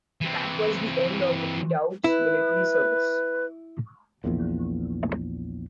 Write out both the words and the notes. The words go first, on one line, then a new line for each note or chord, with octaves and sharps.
That was the end of the Redoubt's military service.
E3 C4
E4 B4
A#1 E2 A#2